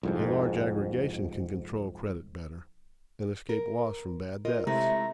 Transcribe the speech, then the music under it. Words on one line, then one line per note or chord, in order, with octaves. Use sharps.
A large aggregation can control credit better and escape loss from bad debts.
C2 F2 G#2
A#4
F4 A#4 D#5
C3 G#3 A3 E4 E5 A#5